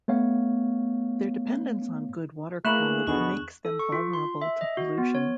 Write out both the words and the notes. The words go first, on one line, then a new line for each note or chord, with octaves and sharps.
Their dependence on good water quality makes them vulnerable to pollution.
A3 B3 C#5 F5
A3 A#3 E4 G#4 B4 F#6 E7 F#7
E2 B2 D3 G#4 C#6
A4
C#6
F4
C6
E5
D#5
F#4
B3
C#5